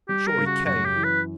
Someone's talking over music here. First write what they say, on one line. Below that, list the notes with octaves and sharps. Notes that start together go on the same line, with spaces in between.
Shorey came.
G3 G4
A#4
C#3
F#4
F#2 F#4
G4
E3
B4